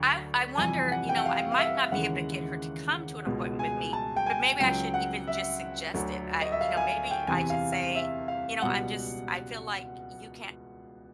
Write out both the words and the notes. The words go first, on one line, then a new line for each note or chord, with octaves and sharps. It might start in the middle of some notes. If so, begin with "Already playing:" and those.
I I wonder, you know, I might not be able to get her to come to an appointment with me, but maybe I should even just suggest it. I you know, maybe I should say, you know I'm just I feel like you can't
Already playing: D2 D3 F#3
F2 C3 E3 G3 G#5
F#5
G5
F#5
F5
F5
E5
D#2 C#3 E3 G#3 F#5
C#2 B2 G#3
G#5
A5
G5
G#5
C#2 C#3 F#3 G5
F#5
E5
D2 D3 F#3
D#5
E5
F5
G#5
G5
E2 C3 E3 G#5
F5
F5
E5
F5
C#2 B2 G3 F#5